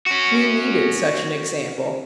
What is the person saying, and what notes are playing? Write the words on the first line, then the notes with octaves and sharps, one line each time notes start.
We needed such an example.
C#4 F#4